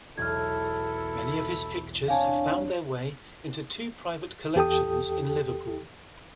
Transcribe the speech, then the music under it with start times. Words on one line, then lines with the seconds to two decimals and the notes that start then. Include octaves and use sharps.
Many of his pictures have found their way into two private collections in Liverpool.
0.17 B1 E2 E4 A4 F6 G#6
2.08 C4 D4 C#5 F5 G#5 A5
4.56 E2 G4 A4 G5 D#6